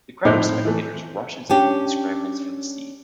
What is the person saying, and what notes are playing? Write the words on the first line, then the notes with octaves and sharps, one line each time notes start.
The crowd of spectators rushes in and scrambles for the seed.
F2 A2 D#4 C5 D6
E3 A3
C#4 D4 G4